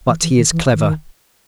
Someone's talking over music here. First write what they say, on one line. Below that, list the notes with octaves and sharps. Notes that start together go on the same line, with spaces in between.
But he is clever.
E3
E3
D#3
E3
D#3